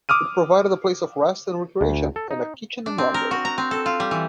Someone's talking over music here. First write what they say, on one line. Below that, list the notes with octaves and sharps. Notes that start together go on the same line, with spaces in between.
It provided a place of rest and recreation, and a kitchen and laundry.
D6 D#6 F6 D#7
D2
A4
D#4
D4
C4
A#4
F#4
A#5
C4
A4
F4
G3
E3